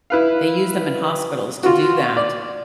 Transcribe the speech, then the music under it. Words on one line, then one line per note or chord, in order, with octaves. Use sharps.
they use them in hospitals to do that.
E4 B4 F5
F4 F#4
D5